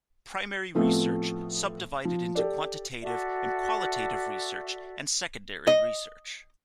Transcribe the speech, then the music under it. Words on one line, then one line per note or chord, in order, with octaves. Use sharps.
Primary Research sub-divided into Quantitative and Qualitative research and Secondary research.
A2 F3 A3 B3 C4
F3
G4 A4 D5
F#4 A4 D5 E5
D#5